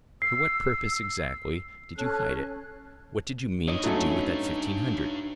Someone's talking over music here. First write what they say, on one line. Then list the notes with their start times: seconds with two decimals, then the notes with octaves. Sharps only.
For what purpose exactly did you hide it, what did you mean to do with that fifteen hundred?
0.22 E6 C7
1.96 C#4 A4 F#6
3.68 D4 D#4 B4 C#5 D#5
3.84 F#3 A3 C#4